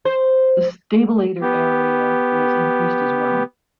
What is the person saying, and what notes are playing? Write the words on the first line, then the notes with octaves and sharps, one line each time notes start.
The stabilator area was increased as well.
C5
B3 G4